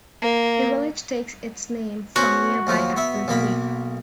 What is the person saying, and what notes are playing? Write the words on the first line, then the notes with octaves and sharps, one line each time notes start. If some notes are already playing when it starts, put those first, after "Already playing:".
The village takes its name from nearby Apple Creek.
A#3
B3 C#4 F#4 C5
D#2 F3 F#3
B3 E5
B1 A#3 B5